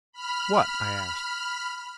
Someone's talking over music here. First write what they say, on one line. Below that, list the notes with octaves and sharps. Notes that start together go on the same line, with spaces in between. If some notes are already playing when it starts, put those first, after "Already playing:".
"What?" I asked.
B5 F6